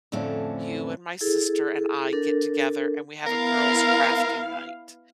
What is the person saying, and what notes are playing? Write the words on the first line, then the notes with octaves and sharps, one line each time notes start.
you and my sister and I get together, and we have a girls' crafting night?"
F2 A2 D3 A3 C4 C#4
E4 G#4 A4
D4 A4 A#4
B3 E4 A#4 F5